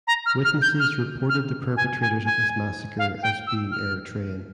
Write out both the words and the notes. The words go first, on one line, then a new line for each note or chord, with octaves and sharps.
Witnesses reported the perpetrators of this massacre as being Eritrean.
A#5
F6
F6
G6
F6
F6
G#5
G#5
G#5
F5
G5
E6
F6